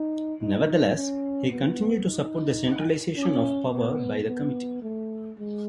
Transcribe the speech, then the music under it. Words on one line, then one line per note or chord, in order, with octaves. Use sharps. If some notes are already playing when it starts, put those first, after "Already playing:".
Nevertheless, he continued to support the centralization of power by the Committee.
Already playing: D#4
D#4
C#4
B3
D#4
C#4
B3
B3
A3
G#3